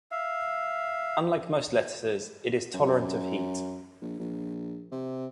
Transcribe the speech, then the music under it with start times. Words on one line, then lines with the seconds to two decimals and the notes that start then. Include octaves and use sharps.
Unlike most lettuces, it is tolerant of heat.
0.12 E5 F5
2.74 F#2
4.01 A#1
4.20 A#1
4.91 C3